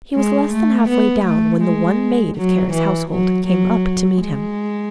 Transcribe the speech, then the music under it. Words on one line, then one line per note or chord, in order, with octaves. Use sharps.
He was less than half-way down when the one maid of Kara's household came up to meet him.
G#3
A3
B3
A3
G#3
F#3
E3
F#3
F#3
G#3